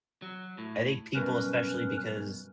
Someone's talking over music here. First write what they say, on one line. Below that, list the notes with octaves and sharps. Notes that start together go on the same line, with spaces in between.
I think people, especially because
F#3
A2
B1 G2 B2 C#4 A#4 B4